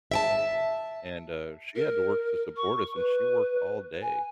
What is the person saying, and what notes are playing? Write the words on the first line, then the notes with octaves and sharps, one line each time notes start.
and, uh, she had to work to support us and she worked all day,
E5 G5 A5
A#4
C#6
B4
G#5